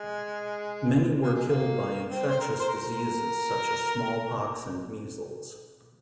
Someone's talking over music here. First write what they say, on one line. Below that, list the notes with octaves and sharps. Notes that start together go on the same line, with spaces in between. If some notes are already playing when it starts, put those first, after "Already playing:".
Many were killed by infectious diseases such as smallpox and measles.
Already playing: G#3
A#3
G#3
A#3
C4
C5
A#4
C5
A#4